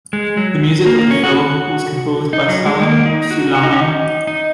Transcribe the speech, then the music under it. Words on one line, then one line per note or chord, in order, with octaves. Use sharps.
The music of the film was composed by Salim-Sulaiman.
G#3
F#3
A#3
A#3
C#4
F#4
F#4
D#4
F#3
G#3
A#3
D#4
F#4
F#4
D#4
C#4
D#4
D#4